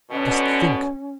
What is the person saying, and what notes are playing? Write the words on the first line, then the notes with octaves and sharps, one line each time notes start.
Just think!
B2 D3 C#4